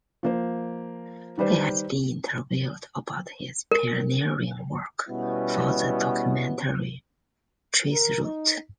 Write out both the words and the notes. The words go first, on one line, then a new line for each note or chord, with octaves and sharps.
He has been interviewed about his pioneering work for the documentary Traceroute.
F3 A#3 C5
D#3 G3 B4 C5 D5
A#4
B2 G3 B3 C#4 E4
A#4
D#4